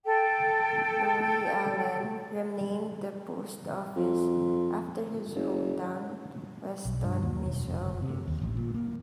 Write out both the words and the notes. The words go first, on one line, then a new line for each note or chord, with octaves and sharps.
Lieuallen renamed the post office after his hometown, Weston, Missouri.
A4 G5
F2
F#1
B1
G2
D#2
E1
F1
F#1
C3
D#2
A1
A#2
A#3